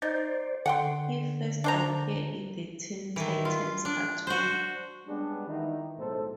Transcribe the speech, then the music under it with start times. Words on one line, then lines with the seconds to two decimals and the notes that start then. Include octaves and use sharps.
He first appeared in the "Teen Titans" cartoon.
0.02 D#4 C5 D5
0.66 D3 F#5 G5 C6
1.64 D4 C5 A#5
3.16 D#3 E3
3.45 F4
3.85 D4
4.27 F#4 C5
5.07 G3 G#3 B3 C#4 D4
5.47 D#3 E3 D#4 E4
5.98 B1 A2 G#3 C4 A4 C5